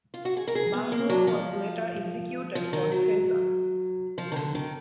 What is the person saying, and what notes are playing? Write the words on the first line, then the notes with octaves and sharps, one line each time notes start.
Bangura was later executed for treason.
F4
F#4
G#4
A#4
G#4
B3
A#3
F#3
F3
F3
D#3
F#3
F3
D#3
D3
D#3